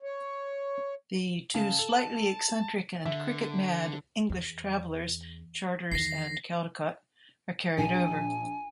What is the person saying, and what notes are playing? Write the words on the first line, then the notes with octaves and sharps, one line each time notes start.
The two slightly eccentric and cricket-mad English travellers, Charters and Caldicott, are carried over.
C#5
C#3 A5
A4
D3 E5
E2
E2 D#3 A#6 C7
A#1 G#5